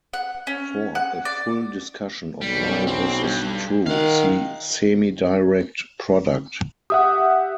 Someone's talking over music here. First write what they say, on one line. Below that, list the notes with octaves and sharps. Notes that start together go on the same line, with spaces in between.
For a full discussion of why this is true, see semidirect product.
F#5
C#4
F#5
D5
B1 G3
C4
G2
D#3 F5 F#5
G4 E5 F#5 D#6